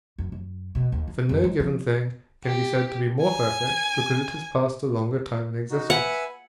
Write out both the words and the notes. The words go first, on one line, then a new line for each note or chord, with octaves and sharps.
For no given thing can be said to be more perfect, because it has passed a longer time in existence.
F#2
F#2
B2
D#2
D#3
F#2
G#3
F3
G4
G#5
D#4 F#4
B4 E5 F#5 G#5